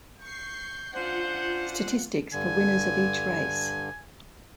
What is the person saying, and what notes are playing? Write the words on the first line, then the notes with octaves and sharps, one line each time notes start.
Statistics for winners of each race.
C#6 G6 C7
C#4 D4 F4 C5 F#5 G6
G2 D3 G#5